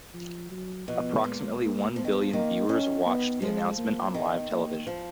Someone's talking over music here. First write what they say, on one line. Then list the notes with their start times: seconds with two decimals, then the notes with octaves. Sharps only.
Approximately one billion viewers watched the announcement on live television.
0.14 F3
0.51 F#3
0.88 B2 F3
1.24 A#2 G#3
1.60 A#3
1.96 F3 B3
2.04 D#3
2.12 F3
2.33 D#3 A#3
2.69 D#3 C#4
3.06 B3
3.42 F3 G#3
3.78 A#3
4.14 D#3 B3
4.51 A#3
4.87 F3